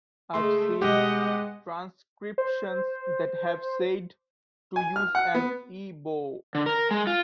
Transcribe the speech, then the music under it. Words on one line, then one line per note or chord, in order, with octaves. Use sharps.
I've seen transcriptions that have said to use an E-bow.
C#3 G#3 A3 G#4 C6
B2 G3 G#3 G4 D#5 F#5
C5
G#5
F6
F#5
B3
D3
A#4
G#3
F4